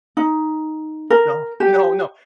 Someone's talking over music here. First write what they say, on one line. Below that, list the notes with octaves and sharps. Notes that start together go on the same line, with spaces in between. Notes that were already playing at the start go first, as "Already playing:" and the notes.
No, no, no.
D#4
A#4
G4